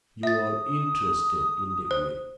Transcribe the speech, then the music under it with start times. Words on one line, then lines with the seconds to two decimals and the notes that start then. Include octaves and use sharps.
"You are interested in the will."
0.23 E5 D#6 A6
1.91 C5